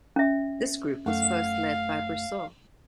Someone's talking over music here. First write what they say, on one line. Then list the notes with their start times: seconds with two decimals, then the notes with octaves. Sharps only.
This group was first led by Brissot.
0.16 C#4 E5
1.06 F#2 A3 F5 F#5